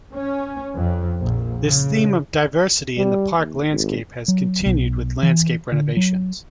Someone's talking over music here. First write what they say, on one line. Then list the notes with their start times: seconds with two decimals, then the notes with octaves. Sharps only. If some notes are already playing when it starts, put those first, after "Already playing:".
This theme of diversity in the park landscape has continued with landscape renovations.
0.14 C#4
0.74 F2
1.20 A#1
1.61 C#3
2.97 G3
3.37 D#2
3.70 G#1
4.28 F#3
4.66 B1
5.23 E3
5.72 D3
5.97 F#3